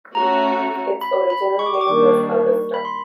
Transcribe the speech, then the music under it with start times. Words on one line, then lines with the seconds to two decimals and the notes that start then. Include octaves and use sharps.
Its original name was Augusta.
0.15 A3 C#4 F#4 A#5
1.01 B5
1.30 B5
1.59 C#6
1.66 D6
1.74 C#6
1.81 D6
1.87 D#3 G3 A#3 D4 C#6
2.74 B5
2.85 C6